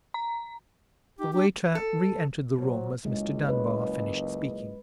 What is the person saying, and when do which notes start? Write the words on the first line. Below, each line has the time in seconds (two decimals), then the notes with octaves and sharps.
The waiter re-entered the room as Mr. Dunbar finished speaking.
0.14 A#5
1.19 D#4 G4
1.33 D4 G4
1.75 A4
2.58 A#2 F#3 C5
3.05 F#1 C#2 G#3 D#5
3.49 B4